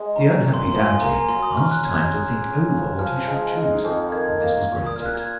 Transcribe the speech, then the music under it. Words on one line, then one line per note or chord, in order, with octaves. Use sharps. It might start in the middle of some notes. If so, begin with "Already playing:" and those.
The unhappy Doughty asked time to think over what he should choose, and this was granted.
Already playing: G#3
C#4 A#5
A#2
C6
F3 C6
G#5
A#3 A#5
G#5
F#3 C6
D#6
F#3 F6
F#6
C#4 G#6
G#4
C#4
C#3
F3 F6
G#3
D#4
F2
D#3 G#6
A#3
A#2
D#6
A#2 F6
F#6
G#6